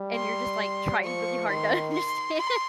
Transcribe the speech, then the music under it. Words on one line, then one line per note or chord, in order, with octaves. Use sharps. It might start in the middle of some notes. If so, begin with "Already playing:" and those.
and you're just, like, trying really hard to understand.
Already playing: G3
C6
F3 C#6
D#3 C6
C6
C6